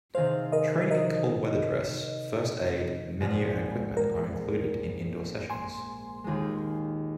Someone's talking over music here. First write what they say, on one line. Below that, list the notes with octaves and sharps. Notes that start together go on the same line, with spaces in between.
Training in cold weather dress, first-aid, menu and equipment are included in indoor sessions.
C3 D#3 C4 G#4 C5 F5
A#4 D#5
A#4 D#5
A#1 G#2 G#3 F4 G#4
A#4
G#5 C6
D#2 D#3 G#3 F4 G#4